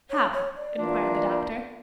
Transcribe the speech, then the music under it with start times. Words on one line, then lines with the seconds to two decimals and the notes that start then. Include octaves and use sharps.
'How?' inquired the doctor.
0.10 C#5
0.33 C#5
0.56 D5
0.79 E3 A#3 D4 F4